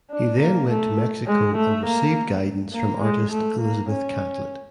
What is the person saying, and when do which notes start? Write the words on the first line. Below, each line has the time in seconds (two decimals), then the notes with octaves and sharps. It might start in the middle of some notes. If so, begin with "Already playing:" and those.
He then went to Mexico and received guidance from artist Elizabeth Catlett.
0.11 D4
0.40 A#3
0.69 A3
1.27 G#3
1.56 A3
1.86 A#3
2.73 A#3
3.01 G#3
3.31 A3
3.60 A#3
3.89 C#4